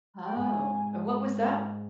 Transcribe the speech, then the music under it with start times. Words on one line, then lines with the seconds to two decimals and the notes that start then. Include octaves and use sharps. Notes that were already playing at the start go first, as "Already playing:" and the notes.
Oh, and what was that
0.24 G5
0.36 G#2 G#5